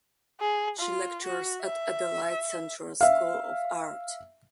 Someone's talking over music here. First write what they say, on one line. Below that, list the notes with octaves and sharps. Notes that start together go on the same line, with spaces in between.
She lectures at Adelaide Central School of Art.
G#4
F4
F#4
E5
E5 F5